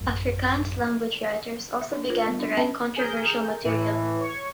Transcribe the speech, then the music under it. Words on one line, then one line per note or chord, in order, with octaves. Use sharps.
Afrikaans-language writers also began to write controversial material.
A1 F#2
E5
D4
F4 A#4 C5
G3 B3 D#5
D4
B3 C#4 B4 E5 G5 A5
G#4 A#4 G6
A2 E3
C#5 C#6